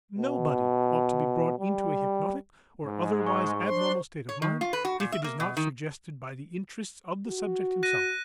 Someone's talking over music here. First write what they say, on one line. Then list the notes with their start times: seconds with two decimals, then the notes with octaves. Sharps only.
Nobody ought to be brought into a hypnotic or otherwise abnormal state of mind if it is not suggested by the interests of the subject himself.
0.18 B2
1.59 G3
2.86 G#2 G#3
3.27 C#6
3.66 D4 C5 C6
4.29 C#5
4.42 D#3
4.61 F4
4.73 B4
4.85 F#4
5.00 A#2
5.12 E5
5.24 A#3
5.40 B2
5.57 D#3
7.27 F#4
7.83 F#6 A#6 D#7